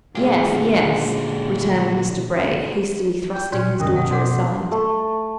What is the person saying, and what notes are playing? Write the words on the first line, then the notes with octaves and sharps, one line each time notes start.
'Yes, yes,' returned Mr Bray, hastily thrusting his daughter aside.
F#2 A#2 D3 G#3 F4 G4 G#4
G5
A#2 C#4
F#2 C3 D#3 C#4 A#4 D#5
B2 B3 F#5
C5 D5 F#5 D6
A3